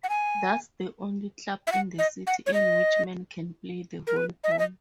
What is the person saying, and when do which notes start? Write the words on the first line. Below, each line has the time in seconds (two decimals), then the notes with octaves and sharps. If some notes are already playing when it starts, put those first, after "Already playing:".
That's the only club in the city, in which men can play the volleyball.
0.04 F#5
0.09 G#5
1.67 E5
1.72 F#5
1.99 D#5
2.27 F#5
2.46 C#5
2.54 D#5
4.07 A#4
4.17 B4
4.44 D#5
4.52 E5
4.59 D#5